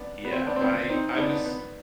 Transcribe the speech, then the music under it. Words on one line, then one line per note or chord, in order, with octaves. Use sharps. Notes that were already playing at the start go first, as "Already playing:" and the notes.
Yeah, I I was
Already playing: B3 D4
B3
C4
B3 D4
C4
B3 D4
C4 D#4
D#4
B3 D4
B3 D4
B3